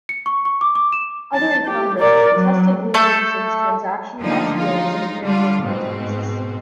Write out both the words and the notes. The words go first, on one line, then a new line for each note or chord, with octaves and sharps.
Other economists have tested Williamson's transaction-cost theories in empirical contexts.
C#7
C#6
C#6
D6
D6
E7
A5
G4
A#4 D5
F#3
A3 A4 A5 G6
D3 F3 A3 A#3 D4 D#4
G#3 D#4 F4
D3 G3 D4 F4
G#2 B2 C4